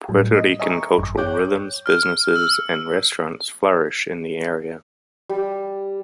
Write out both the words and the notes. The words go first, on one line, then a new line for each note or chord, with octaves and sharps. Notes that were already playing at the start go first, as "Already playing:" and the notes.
Puerto Rican cultural rhythms, businesses, and restaurants flourish in the area.
A2 F#3 G3
D#5
D#5 E5 G#5 A#5 C#6
G#1 F#2
C#5 G5 D6 F#6 G6
F6
E6
G3